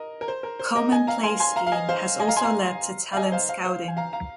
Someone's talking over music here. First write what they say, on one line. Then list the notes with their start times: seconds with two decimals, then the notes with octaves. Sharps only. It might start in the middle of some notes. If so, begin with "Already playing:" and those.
'Come and Play Scheme' has also led to talent scouting.
Already playing: A#4 D#5
0.21 A#4
0.28 C5
0.43 A#4
0.59 C5
0.75 A#4 D#5
0.92 D#5 G#5
1.07 F5 A#5
1.23 G#5 C6
1.40 G#5 C6
1.56 F5 A#5
1.66 F5
1.72 D#5 G#5
1.89 C5 F5
2.20 D#5 G#5
2.28 F5 A#5
2.37 G#5 C6
2.44 F5 A#5
3.13 F5
3.17 D#5 G#5
3.27 G#5
3.32 C5 F5
3.49 C5 F5
3.65 C5
3.88 G#5
3.97 F5 A#5
4.13 F5 A#5